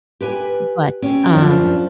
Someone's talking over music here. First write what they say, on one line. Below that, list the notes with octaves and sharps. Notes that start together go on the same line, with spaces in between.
but, um,
G4 B4 G#5
C#4 G4
F#2 F3 D4